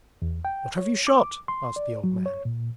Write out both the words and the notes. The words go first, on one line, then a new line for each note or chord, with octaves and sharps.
'What have you shot?' asked the old man.
E2
G5
C#5
D6
C6
D5
F#3
C#5
A#2